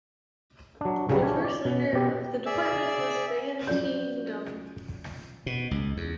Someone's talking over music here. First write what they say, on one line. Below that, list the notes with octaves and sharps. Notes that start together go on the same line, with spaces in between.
The first leader of the Department was Van Tien Dung.
F#3 D4
C2 C#3 F#3 G3
C#4 D4 G#5
D5
B2
B2 G4
G#4 D5 E5 E6
F#3 C#4 F4 D5 G6
B2
C#2
E2